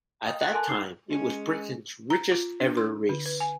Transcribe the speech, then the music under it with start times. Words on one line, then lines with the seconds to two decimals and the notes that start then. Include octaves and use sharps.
At that time, it was Britain's richest ever race.
0.24 D#5 F5 G5 D#6
0.41 F#6
0.53 A4 A#4 G#5 A5 C6 F#6
0.68 D#4 D6 C7
1.09 G#3 C#4
2.10 A#5
2.32 F4
2.60 D4
2.77 C6
3.09 D3
3.26 B4
3.40 G#5